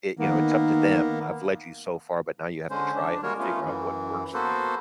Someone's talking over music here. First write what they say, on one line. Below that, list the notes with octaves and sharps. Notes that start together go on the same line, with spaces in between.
i you know, it's up to them. "I've led you so far, but now you have to try it and figure out what works for you."
D#3 A#3 B3
D3 G#3 C#4 C5
D4
G3 G#3 A#3 F#4 A#4 C#5
A3 B3 C#4 F4
F#2 E3
A#3 B3 F#4 A4 B4 C5